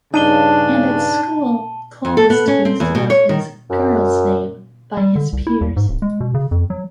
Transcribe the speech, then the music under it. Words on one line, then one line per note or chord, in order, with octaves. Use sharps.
And at school, Cole was teased about his "girl's name" by his peers.
G2 C#3 D4 D#4 A5 D#7 G7
F2
A4
B3
C#4
C4
E2
B2
C#5
D#3
F#2
G3
D3
C2
E4
D#2
G#2
D1
G#3
B2
C#3
F2
F#3